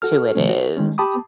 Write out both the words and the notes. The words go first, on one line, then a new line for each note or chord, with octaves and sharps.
to it is
F#4 A4 F6
C3 D#3 F3 A3 C#4
F#4
D#3 G#3 C#4
G4 G5 A5 B5 D6 D#6